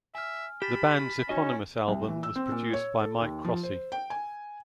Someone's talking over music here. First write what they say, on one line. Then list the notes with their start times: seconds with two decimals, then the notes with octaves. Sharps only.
The band's eponymous album was produced by Mike Crossey.
0.15 E5 G#5 F6
0.62 G4 B5 A6 B6 E7
1.29 C#4 D#4 F#4 D#5
1.88 C2
2.08 E3
2.23 E6
2.36 C4
2.52 A#2
2.74 C#5
3.01 A4
3.21 D#2
3.45 F3
3.63 C5
3.92 G5
4.10 G#5